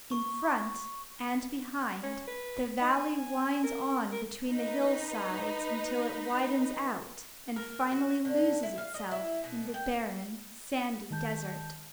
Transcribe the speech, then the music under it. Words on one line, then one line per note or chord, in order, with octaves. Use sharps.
In front and behind, the valley winds on between the hill-sides until it widens out and finally loses itself in the barren, sandy desert.
C#6
C#4
B4
D#4
G#5
A#4
A#4
D#4 B4
A#4
F#4
D3
E4
F5
D#5
E4
B2
G5
D#3 G#3 A5 G6